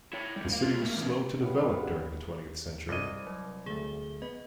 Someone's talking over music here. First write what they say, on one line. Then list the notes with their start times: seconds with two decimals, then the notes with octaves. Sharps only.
The city was slow to develop during the twentieth century.
0.13 E4 C#5
0.36 D3 G3
0.50 A#3 F5
0.62 C#2 F4
0.81 A3 A#3
0.97 E2 C#3
1.42 F#2 G3 B3 D4 F5 F#5
2.89 C2 D#5 D6 G#6
3.27 F#3
3.66 D2 A3 G#4 G7
4.22 B3 D#5